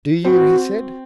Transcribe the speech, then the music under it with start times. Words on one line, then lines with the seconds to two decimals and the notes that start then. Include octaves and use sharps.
"Do you?" he said.
0.23 C4 F#4